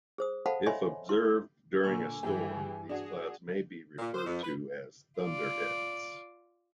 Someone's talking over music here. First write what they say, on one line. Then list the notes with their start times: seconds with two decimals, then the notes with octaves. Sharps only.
If observed during a storm, these clouds may be referred to as thunderheads.
0.18 G#4 C5 D#6
0.46 A4 C5 F5 F#5 A5 B5
0.66 C#5 D#5 E5 G#5 B5 C6
1.09 E4 C6
1.84 A#2 D3 A#3 G#5 C#6 E6
2.23 G2 E3 G4 G#4
2.89 D4 F#4 G#4
3.99 A#2
4.14 C5
4.27 F2
4.43 B4
5.19 F4 D5